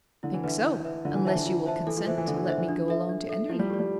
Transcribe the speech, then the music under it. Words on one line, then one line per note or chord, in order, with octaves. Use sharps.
"I think so, unless you will consent to let me go alone to Enderley."
D3 E4
E3
D3 B4 E5
E4
B4 E5
D3 F4
E3
C5 E5 A5
D3
F4
C5 E5 A5
E3 A4
F3
E3 C5 E5
E3
D3 A4
E3
D3 C5 E5
E3
F3 D4
A4 E5
D4
A4 E5
F3 E4
G3
A3 G4 D5
G3